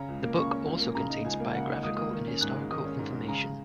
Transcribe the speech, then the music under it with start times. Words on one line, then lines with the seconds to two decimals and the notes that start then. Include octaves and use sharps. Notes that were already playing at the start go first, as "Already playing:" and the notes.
The book also contains biographical and historical information.
Already playing: C#3 C#4 A#5
0.08 C#2
0.22 A#3
0.37 C#3 C#6
0.52 C#4
0.66 C#2
0.81 A#3
0.95 C#3 A#5
1.10 D#4
1.24 C#2 G#5
1.40 A#3
1.54 C#3 F#5
1.68 D#4
1.83 C#2 D#6
1.97 A#3 D#6
2.12 D#3
2.27 C#4
2.41 G#2 F#6
2.56 G#3
2.71 D#3 D#6
2.85 C#4
2.99 G#2
3.14 G#3
3.28 C#3 A#5